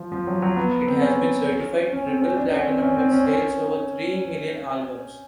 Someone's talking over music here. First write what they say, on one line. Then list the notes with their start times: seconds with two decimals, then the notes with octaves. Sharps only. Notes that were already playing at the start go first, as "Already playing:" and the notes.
It has been certified triple platinum with sales over three million albums.
Already playing: F3
0.12 F3
0.27 F#3
0.42 F#3
0.56 B3
0.87 C4
1.01 C#4
1.92 C#4
2.07 C4
2.22 C#4
2.37 D4
2.52 C#4
2.66 C4
2.82 C#4
2.97 C4
3.12 C#4
3.26 C#4